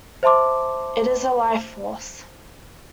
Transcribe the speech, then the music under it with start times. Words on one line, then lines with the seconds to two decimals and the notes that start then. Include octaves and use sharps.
It is a life force.
0.23 C5 E5 A5 C6 D6